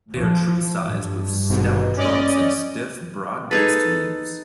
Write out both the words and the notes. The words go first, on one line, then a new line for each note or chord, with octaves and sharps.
They are tree-sized with stout trunks and stiff, broad-based leaves.
F3
G2
G#1 G#2 B2
C#4 D5 D#5
D#4 G#4 A4 B4